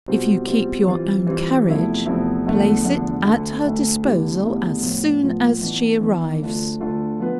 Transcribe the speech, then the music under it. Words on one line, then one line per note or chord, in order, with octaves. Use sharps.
If you keep your own carriage, place it at her disposal as soon as she arrives.
B2 G3 C4 F4
B2 G3 C4 F4
E3 G3 C4 F4
E3 G3 C4 F4
E2 C3 F3 A3 E4
E2 C3 F3 A3 E4
E2 D3 F3 A3 D4
E2 D3 F3 A3 D4
D2 D3 A3
D2 D3 A3
E2 D3 A3 E4 G4
E2 D3 A3 E4 G4
A2 F3 B3 F4
A2 F3 B3 F4
E3 B3 D4
E3 B3 D4
D2 D3 A3 D4 F4
D2 D3 A3 D4 F4
F3 B3 F4 B4